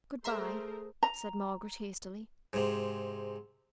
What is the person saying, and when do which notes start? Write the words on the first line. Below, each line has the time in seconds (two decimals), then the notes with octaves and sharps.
'Good-bye!' said Margaret, hastily.
0.24 A3 G#4 A#4 C5 E5 A#5 C6
1.03 A#5
2.53 G#2 C3